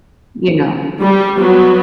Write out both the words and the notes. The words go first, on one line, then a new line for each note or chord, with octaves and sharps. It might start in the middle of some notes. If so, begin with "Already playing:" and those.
you know,
G3
F#3 B3